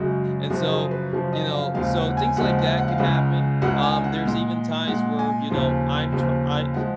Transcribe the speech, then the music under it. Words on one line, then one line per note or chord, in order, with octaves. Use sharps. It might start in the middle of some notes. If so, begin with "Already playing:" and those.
And so, you know, so things like that can happen, um, there's even times where, you know, I'm tr I
Already playing: F#2 C#3 G#3 F#4
F#2 C#3 F3 F#4
G#4
B4
F#2 C#3 F3
D#5
F5
D#2 C#3 F3 G#3 F5
F#5
G#5
D#2 C#3 F3 G#3 F#5
F#5
F#5
F5
C#2 C#3 G#3 F#5
C#2 C#3 G#3 F#5
G#5
F#5
A#2 G#3
A#2 G#3 F#5
G#5
D#2 C#3 F3
D#2 C#3 F3
F3 G#3 F#5